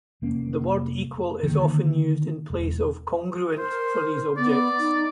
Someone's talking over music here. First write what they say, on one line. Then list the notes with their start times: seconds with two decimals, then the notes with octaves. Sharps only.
The word "equal" is often used in place of "congruent" for these objects.
0.22 F1 A#3 C#4
1.43 D3 D#3 G#3 A#3
2.50 E1
3.58 A#4 C5
4.37 B3 D5
4.78 D#4